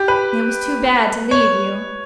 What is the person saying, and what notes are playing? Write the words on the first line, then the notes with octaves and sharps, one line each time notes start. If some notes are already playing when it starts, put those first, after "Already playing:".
It was too bad to leave you.
Already playing: G4
B4
C#5